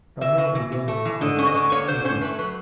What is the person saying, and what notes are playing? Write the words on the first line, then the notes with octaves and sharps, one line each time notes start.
Kabua began his career as a school teacher.
E3 E5
C#3
E3
E3
A3
E3
D3 D#5
C#4
D#5
D3
A#3 C#5
D3 C5
C#4 C5
A3 B4
F#3 B4